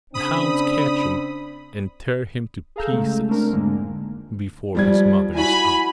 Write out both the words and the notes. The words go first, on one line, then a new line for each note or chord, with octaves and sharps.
The hounds catch him, and tear him to pieces before his mother's eyes!...
C#3 C4 D4 B5 D#6
G#4 A4 F5 A#5 E6 G6
C#3 G#3 A3
A3 C4 D4 A#4
F2 G#2 D3 G#3 A#3
F3 G3 G#6
E4 F#4 G#5 B5